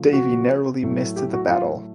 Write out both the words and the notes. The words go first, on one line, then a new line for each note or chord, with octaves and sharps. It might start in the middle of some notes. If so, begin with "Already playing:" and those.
Davie narrowly missed the battle.
Already playing: C#3 F3 A3
F#4
A2 F#3 A3
G4
F#4
F4